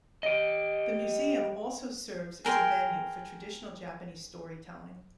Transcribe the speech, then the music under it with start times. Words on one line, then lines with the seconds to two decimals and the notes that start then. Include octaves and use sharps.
The museum also serves as a venue for traditional Japanese storytelling.
0.23 G4 D#5
2.45 G#4 A#4 G5 C6